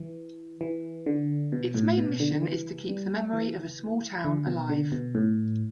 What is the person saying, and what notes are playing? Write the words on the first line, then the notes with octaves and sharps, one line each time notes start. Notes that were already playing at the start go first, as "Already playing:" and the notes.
Its main mission is to keep the memory of a small town alive.
Already playing: E3
E3
D3
B2
A2
B2
D3
D3
E3
G3
E3
D3
B2
D3
B2
A2